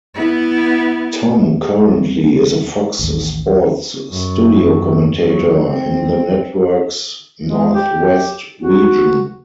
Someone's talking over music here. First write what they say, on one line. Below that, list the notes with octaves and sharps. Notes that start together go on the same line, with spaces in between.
Tom currently is a Fox Sports studio commentator in the network's Northwest region.
B3 E4
G3 C4
A1 D#2
F#2
F#3
C4
G#3
G4
F#4